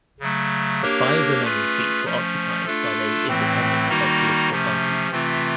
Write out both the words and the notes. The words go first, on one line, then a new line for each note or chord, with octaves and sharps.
The five remaining seats were occupied by those independent of political parties.
C#3 F#3 A3
A#3 D4 G4 A#4 C#5
A3 C#4 F4 G#4 B4
F3 A3 C#4
A3 D4 F4 A4
A2 E3 A3 C4
D#3 G3 A#3 D#4 F#4
C3 F3 A3 C#4
C3 E3 A3 C4 F4